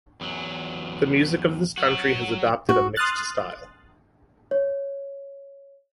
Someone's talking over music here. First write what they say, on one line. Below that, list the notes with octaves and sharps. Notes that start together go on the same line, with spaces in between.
The music of this country has adopted a mixed style.
E2 F#3
F#3 F#4
F#4
C6 D#6 F6 F#6 A6
C#5